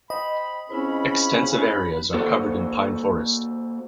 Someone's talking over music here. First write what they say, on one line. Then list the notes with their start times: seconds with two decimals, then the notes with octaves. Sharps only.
Extensive areas are covered in pine forest.
0.10 C5 D#5 G5 B5
0.70 C#2 C4 C#4 E4 C5 B5
2.14 A#3 F#4 A4 C5